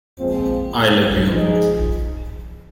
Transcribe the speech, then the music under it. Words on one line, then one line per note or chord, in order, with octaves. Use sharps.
I Love You.
A#2 F3 G#3 C4
F3 G#3 D#4 G#4